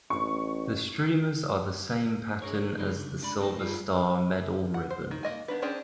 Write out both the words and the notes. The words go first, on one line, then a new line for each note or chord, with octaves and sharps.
The streamers are the same pattern as the Silver Star Medal ribbon.
A1 C#6
D4 G#4 A#4 C#5
F3 B3 D#4 G#4 A#4
C#3 D4
G#3 D4 D5 B5
A3 C4 D#4 A#4 C5 D5
G3 F4 G#4
F#5
C5
D#3
A#3 D#5 G#5
D#3 B3 D4 B4
C#4 D4 G#4 C5 G5